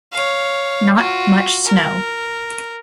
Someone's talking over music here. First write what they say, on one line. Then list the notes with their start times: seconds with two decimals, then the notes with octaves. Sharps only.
Not much snow.
0.12 C#5 F5
0.96 F4 F#4
1.64 A#4